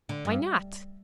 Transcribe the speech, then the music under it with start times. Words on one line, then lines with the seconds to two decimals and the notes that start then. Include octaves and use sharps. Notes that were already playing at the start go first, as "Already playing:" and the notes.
"Why not?"
0.09 D3
0.25 G2